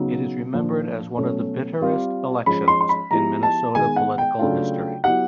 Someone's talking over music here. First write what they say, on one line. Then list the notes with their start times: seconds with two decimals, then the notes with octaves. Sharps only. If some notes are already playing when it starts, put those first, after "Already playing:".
It is remembered as one of the bitterest elections in Minnesota political history.
Already playing: C#3 F#3 B3 D#4
0.53 A#2 F3 A#3 D4
1.17 B2 F#3 A3 C#4 F#4
1.81 G3 C4 F4
2.46 F3 G#3 C#4 B5
2.68 C6
2.81 C6
2.89 B5
3.11 F3 G#3 B3 E4 G4 A#5
3.43 A5
3.75 D#3 G#3 B3 G#5
3.96 F#5
4.18 G5
4.39 C#3 F#3 A3 D4 F4
5.04 F#3 B3 E4 G4 F#5